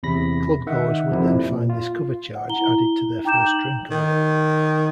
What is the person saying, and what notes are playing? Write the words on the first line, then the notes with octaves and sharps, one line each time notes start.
Clubgoers would then find this cover charge added to their first drink order.
E2 C3 B5 A#6
D#3 E5 F#5
F2 C3 E4
A#2
F4
F#5
E4 A#5 G7
D#4 G5 A#5 D6 G6 E7
F#7
D#3